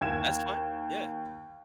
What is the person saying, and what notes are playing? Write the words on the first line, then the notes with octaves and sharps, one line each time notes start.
That's fine. Yeah.
D#2 G#6 E7